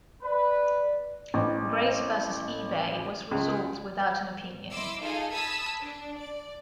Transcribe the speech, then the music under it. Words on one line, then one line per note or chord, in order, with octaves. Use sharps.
Grace versus eBay was resolved without an opinion.
B4 D5
A1
C#2
E4 D#5 C6 D6 E6
D#4 F4 G#4 A4 F5 G#5
A5 B5 D#6 E6 G#6 B6
D4
D5